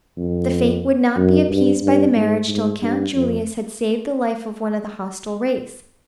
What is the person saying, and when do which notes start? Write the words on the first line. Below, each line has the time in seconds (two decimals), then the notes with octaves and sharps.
The fate would not be appeased by the marriage, till Count Julius had saved the life of one of the hostile race.
0.17 F2
1.16 F#2
1.49 G2
1.82 G2
2.15 G#2
2.48 G#2
2.82 G2
3.14 F2